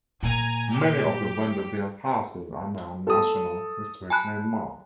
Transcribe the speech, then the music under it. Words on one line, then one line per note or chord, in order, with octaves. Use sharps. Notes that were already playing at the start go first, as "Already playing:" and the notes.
Many of the Vanderbilt houses are now National Historic Landmarks.
A#2 G#5 A#5
G4
A4 D#6
G#5 A5 B5 F#6